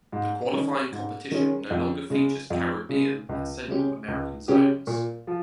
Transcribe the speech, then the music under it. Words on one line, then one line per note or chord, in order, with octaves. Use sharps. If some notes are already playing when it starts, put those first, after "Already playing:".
The qualifying competition no longer features Caribbean and Central American zones.
G#2
D#3 G#3 C#4 G#4
G#2
D#3 G#3 C#4 G#4
F2
C#3 G#3
F2
C#3 G#3
C#2
C#3 G#3 C#4 G4
C#2
C#3 G#3 C#4 G4
A#2
F3